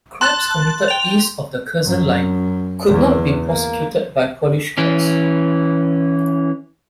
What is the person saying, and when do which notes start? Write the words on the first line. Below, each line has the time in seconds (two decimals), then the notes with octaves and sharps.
Crimes committed east of the Curzon line could not be prosecuted by Polish courts.
0.21 A5 C6 F#6 A6
0.88 G5 F7
1.85 F#2
2.88 E2
3.46 A#3
4.78 E3 C#4